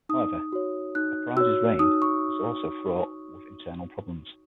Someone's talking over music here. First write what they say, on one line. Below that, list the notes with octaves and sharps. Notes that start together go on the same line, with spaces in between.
However, Apries' reign was also fraught with internal problems.
D#4 D#6
F#4 C#5
D#4 F#6
F#4 C#5 E6
D#4 D#6
C#6